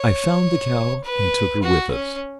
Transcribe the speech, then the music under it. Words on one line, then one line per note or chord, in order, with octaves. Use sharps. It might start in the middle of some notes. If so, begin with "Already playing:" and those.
I found the cow, and took her with us.
Already playing: C#5
B4
F#4
C#4